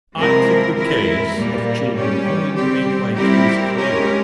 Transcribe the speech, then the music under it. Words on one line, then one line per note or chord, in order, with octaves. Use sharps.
I took the case of children only to make my case clearer.
C3 F3 G#3 E4 A#4
G#3 E4 A#4
A#2 G3 A#3
G3 C#4 G4
G3 C4 G4
G3 C4 E4 G4 A#4
G#3 C#4 G4 A#4